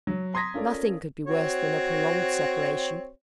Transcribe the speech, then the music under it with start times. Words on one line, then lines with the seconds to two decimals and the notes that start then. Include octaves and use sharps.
Nothing could be worse than a prolonged separation.
0.07 F#3
0.34 A#5 C6 D#6 G#6 A#6 B6
0.54 C#4 F4 A4 A#4 D5
1.27 C4 F#4 C#5